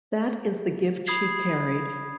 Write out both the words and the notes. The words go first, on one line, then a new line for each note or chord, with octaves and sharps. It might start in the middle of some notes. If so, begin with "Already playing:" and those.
That is the gift she carried.
B5 D#6 G#6 C7